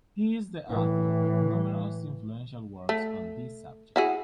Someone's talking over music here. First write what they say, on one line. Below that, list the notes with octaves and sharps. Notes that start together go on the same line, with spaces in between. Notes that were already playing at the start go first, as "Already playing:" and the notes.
He is the author of numerous influential works on this subject.
A2 E3
A3
E4 F#4 G#4